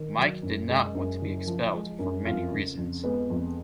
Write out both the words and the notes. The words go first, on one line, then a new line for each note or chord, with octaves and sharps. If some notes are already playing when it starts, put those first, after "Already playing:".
Mike did not want to be expelled, for many reasons.
Already playing: D#3
F#3
F#2
G#3
F#2
F#1
F3
G#3
F#2
F2 F4
C#3
F2
G#3 B3
F2